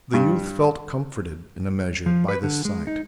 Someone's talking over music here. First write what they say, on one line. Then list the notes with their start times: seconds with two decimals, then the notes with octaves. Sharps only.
The youth felt comforted in a measure by this sight.
0.14 G2
2.06 F3
2.29 B4
2.43 D3
2.65 G#3
2.87 D#4